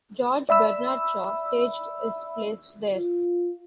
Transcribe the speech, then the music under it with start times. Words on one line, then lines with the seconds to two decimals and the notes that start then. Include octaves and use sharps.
George Bernard Shaw staged his plays there.
0.49 D5 E5 B5 E6
2.94 F4